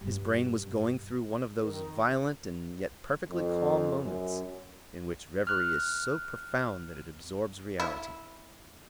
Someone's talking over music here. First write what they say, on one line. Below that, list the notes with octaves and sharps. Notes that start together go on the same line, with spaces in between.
His brain was going through one of those violent and yet perfectly calm moments in which revery is so profound that it absorbs reality.
G2 B2
D#3
F2
F#2
F6 F#6
E4